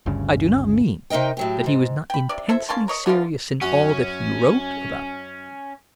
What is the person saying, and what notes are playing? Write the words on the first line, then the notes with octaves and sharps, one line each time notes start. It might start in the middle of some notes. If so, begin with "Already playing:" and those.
I do not mean that he was not intensely serious in all that he wrote about the war.
G1 D2 G2 C#3
C3 D#4 A#4 D#5 G5
A2 F#3 G4
G#2
G5 B5
C3 D5
E4 A4 C5 E5
A#3 C#4 A5 C6
A#4 C#5 D#5
D3 E3 F3 F4
F#2 C#4 F#4